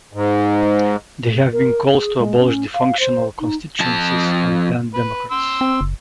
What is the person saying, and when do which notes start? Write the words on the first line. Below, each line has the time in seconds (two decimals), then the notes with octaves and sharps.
There have been calls to abolish the functional constituencies from pan democrats.
0.13 G#2
1.53 A#4
1.94 G#4
2.19 G#3
2.39 C#4
2.74 F5
2.99 C5
3.40 D#4
3.80 F2 A5
4.94 B4
5.31 C6 E6
5.61 C4
5.81 F#1